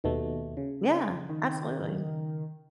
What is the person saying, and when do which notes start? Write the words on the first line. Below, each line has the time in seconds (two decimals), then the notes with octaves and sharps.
Yeah, absolutely.
0.04 D#2 B2 A3
0.57 C#3
1.29 D#3